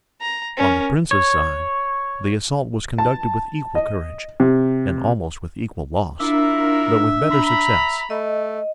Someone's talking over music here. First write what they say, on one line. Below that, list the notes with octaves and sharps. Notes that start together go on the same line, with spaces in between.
On the prince's side, the assault was conducted with equal courage, and almost with equal loss, but with better success.
A#5
C#4 A#4
C#5
A5
D#5
C3
D4 E4 F4 A#4 E5
A#5 B5
A3 D#5